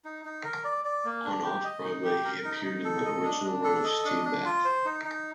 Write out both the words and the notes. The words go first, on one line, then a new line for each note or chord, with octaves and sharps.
On Off Broadway, he appeared in the original run of "Steambath".
D#4
D#4
A#4
D5
D5
A#3
D4
G4
D#5
D#4
G4
A#4
D#4
D#4
A4
D#5
D4
D4
A4
D#5
D4
D4
F4
C5
D#4
D#4